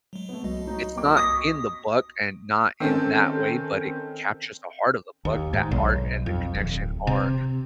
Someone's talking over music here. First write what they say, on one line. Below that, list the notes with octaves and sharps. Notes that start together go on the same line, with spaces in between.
It's not in the book, and not in that way, but it captures the heart of the book, that art, and the connection are
F#3 G#3
A3 B3
C2 F#4 D#5
F#3 D#4
A#3 D6
C#6 D#6 A#6 B6
D#3 C4 C#4 A4
D#2
G#2
B1
F2
D1
C3